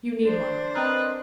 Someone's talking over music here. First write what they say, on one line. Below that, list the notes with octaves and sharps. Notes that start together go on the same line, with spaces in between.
"You need one."
D4 C5
C4 A#4 B4 D#5